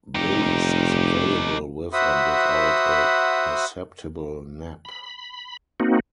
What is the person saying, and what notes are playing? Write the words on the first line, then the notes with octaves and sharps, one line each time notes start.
Baize is available with and without a perceptible nap.
F1 D#4 G4
F#4 C5 E5 F#5 B5 D#6
B5
A#3 C4 D#4 F#4